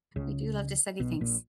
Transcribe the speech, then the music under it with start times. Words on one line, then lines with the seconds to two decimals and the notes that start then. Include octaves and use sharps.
We do love to study things.
0.16 C#2 C#3
1.00 B1 B2
1.21 A#1 A#2